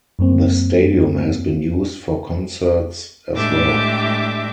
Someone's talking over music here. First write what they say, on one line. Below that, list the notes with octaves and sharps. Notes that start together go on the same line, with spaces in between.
The stadium has been used for concerts as well.
F#2 A#3 C4
A2 G#3 D4 G4 E5 D6